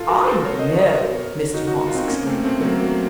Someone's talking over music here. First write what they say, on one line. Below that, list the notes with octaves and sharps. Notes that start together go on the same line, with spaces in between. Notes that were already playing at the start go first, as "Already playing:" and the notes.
"I know!" Mr. Moss exclaimed quickly.
Already playing: F4 A4
F#4 A#4
A4 C5
A#4 C#5
C5 D#5
A#4 C#5
D#5
A#4 C#5
D#4 F#4
D#4 F#4
F4
C4 D#4
A#3 C#4
A3 C4
A3 C4
F#3 A#3
F#3